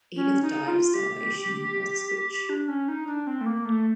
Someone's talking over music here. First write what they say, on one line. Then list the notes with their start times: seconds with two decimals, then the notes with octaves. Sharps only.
Edith died of starvation in Auschwitz.
0.16 C#4
0.42 D#4
0.68 F4
0.94 G4
2.49 D4
2.68 C#4
2.88 D#4
3.07 D4
3.27 C4
3.41 A3
3.46 A#3
3.65 A3